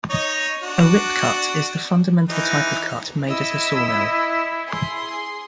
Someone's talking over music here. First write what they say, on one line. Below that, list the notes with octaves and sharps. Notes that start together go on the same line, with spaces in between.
A rip cut is the fundamental type of cut made at a sawmill.
D#4 C#5 D#5
D4 F#4
E3 D#4
E4 D#5 E6
G#4 C6